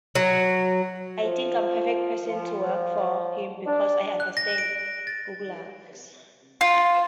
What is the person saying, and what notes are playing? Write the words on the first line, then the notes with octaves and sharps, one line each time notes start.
I think I'm a perfect person to work for him, because I understand gulags.
F#3
F3
F3
D4
F#6
A#6
D7
A6
F4